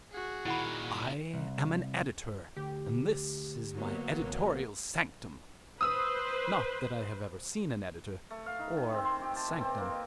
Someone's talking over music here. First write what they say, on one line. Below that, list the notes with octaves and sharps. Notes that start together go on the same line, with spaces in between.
"I am an editor, and this is my editorial sanctum." Not that I have ever seen an editor or a sanctum.
F#4 G#4
A#2 D#3 E4 F#5 B5
C2
D2 G4
F#3 A#3 B3
A1
B4 C5 D#6 E6
A3
F5
D#4
D#3
C4
C6
G4
A5
B2
C4
A#3
D#5